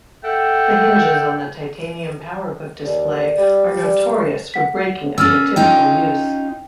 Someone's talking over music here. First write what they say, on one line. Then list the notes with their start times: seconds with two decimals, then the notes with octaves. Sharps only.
The hinges on the Titanium PowerBook display are notorious for breaking under typical use.
0.23 A4 E5 F#5 G5
2.85 D#2 D5
3.38 G3
4.54 F#5 B6
5.18 A#3 C#4 E6 F6 A6
5.56 C#4 D#4 F4 G5